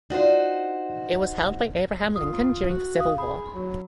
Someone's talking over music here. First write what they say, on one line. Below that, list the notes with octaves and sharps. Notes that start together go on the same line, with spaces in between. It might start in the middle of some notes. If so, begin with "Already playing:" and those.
It was held by Abraham Lincoln during the Civil War.
D4 D#4 F4 F#4 C5
F4 D#6
F#4
F5 D#6
G#4 B5
F#3